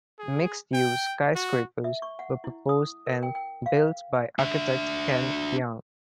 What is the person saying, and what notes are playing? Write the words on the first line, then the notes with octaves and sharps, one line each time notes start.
Mixed-use skyscrapers were proposed and built by architect Ken Yeang.
G#4
G5
F#4
E5
C#6
F#5
E4
D#6
A#4
G5
G5
F5
D4 E5